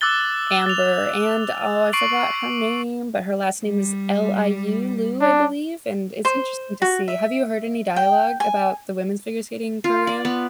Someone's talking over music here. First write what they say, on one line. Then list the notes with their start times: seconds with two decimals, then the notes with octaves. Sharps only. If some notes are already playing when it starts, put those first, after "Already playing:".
Amber and oh, I forgot her name, but her last name is L-I-U, Liu, I believe, and it's interesting to see. Have you heard any dialogue about the women's figure skating program?
0.01 D6 E6 F#6 A6 G7
0.66 A6 F7
1.93 C#6 C7 D7 F#7
3.65 G3
5.21 D4
6.25 C5
6.82 F#4
7.08 E5
7.96 G5
8.40 G#5
9.84 F4
10.07 D5
10.25 B3